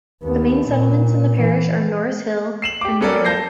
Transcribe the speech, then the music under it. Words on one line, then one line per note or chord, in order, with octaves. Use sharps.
The main settlements in the parish are Norris Hill and Moira.
D#2 B3
A#2
E3
C7 E7 F#7
G4 D6
B3 C#4 A4 A#4 D5
A5 G6 A#6 C7